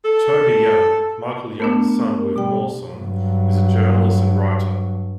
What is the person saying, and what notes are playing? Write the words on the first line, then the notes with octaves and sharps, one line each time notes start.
Toby Young, Michael Young's son with Moorsom, is a journalist and writer.
A4
A3 B3 D4 A#4
B2 G3 G5
G2 F#3